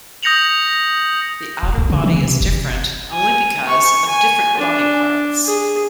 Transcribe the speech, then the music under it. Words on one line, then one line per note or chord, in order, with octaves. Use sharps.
The outer body is different only because of different body parts.
D#6 G6 A#6 C#7 F7 F#7
D1
B1
C#3
E3
C3
F1
G#5
C#6
G#5
D4
G#4